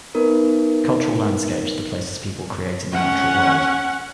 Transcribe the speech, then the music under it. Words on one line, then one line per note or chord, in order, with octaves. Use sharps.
Cultural landscapes are the places people create in the natural world.
B3 D#4 A#4 B4
C#4 F#5